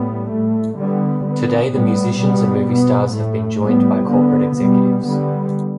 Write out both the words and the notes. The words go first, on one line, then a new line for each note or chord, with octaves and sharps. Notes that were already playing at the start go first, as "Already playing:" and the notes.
Today the musicians and movie stars have been joined by corporate executives.
Already playing: A2 G3 B3
A2 A3
D3 G3 B3
D3 B3
A2 G3 B3
B2 G3 B3
B2 B3
A2 A3
A2 G3 B3
D3 B3
B2 G3 B3
D3 G3 B3